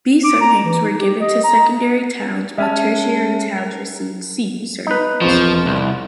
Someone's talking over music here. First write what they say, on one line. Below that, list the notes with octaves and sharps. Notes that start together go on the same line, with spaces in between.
"B" surnames were given to secondary towns while tertiary towns received "C" surnames.
D6
A#5
E3
D#4
G4
D#5
A#5
G#3 C#4 E5 A5
A#4
D#4 B4
E1 F3 C4 C#6
C2